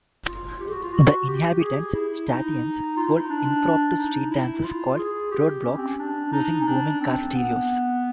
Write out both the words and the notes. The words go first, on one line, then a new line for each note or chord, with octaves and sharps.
The inhabitants, "Statians", hold impromptu street dances called "road blocks", using booming car stereos.
F4
G4
F#4
F4
F#4
G4
G#4
E4
D#4
F4
E4
D#4
D4
D#4
E4
F4
G#4
G4
C#4
C4
C#4
D4
D#4
C#4
D4
C4
B3